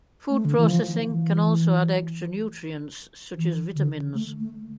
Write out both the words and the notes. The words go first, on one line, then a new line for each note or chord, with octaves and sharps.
Food processing can also add extra nutrients such as vitamins.
A3
D3
E3
F3
E3
E3
D3
A3
A3